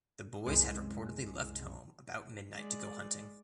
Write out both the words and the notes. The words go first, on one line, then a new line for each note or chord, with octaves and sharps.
The boys had reportedly left home about midnight to go hunting.
C2 F#2 G#3
G#3 D5